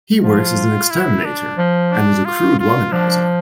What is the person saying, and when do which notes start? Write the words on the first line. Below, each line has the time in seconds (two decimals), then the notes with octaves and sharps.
He works as an exterminator and is a crude womanizer.
0.23 F3 F4
0.91 E4
1.25 D4
1.58 F3
1.92 D4
2.25 F4
2.59 F4
2.92 F3 D4